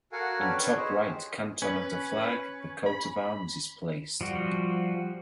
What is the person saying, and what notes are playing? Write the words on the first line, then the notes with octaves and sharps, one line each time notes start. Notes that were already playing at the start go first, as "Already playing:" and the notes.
In top right canton of the flag the Coat of Arms is placed.
F#4 A4 A#4 F5 F#5 G#5
C#4 D4 G4 A4 B4 D5
B4 C#5
G#4 C5 D#5
G4
C#4 B4
B5
F3 G3 F#4